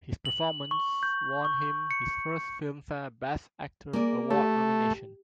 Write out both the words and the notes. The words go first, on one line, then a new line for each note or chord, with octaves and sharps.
His performance won him his first Filmfare Best Actor Award Nomination.
F#7
C#6
G6
C#6
C#7
A#3 G#4 D5
A3 G4